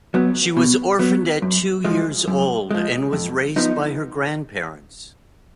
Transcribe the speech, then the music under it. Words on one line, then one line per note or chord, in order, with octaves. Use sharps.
She was orphaned at two years old and was raised by her grandparents.
F#3 B3
B2
F#3 B3
F#2
F3 G#3
F#2
F3 G#3
F2
F3 B3 D#4